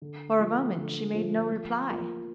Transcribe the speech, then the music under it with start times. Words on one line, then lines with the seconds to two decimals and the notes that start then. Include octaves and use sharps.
For a moment she made no reply.
0.02 D3
0.39 F3 A3
0.77 D3
1.14 F3 A3
1.52 F3
1.89 A#3 F4